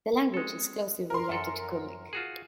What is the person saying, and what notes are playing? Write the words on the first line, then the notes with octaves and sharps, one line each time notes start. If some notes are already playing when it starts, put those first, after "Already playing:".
The language is closely related to Kumyk.
G#3 A4
A#4 C6
F#2 A4
F4 F#4 G#4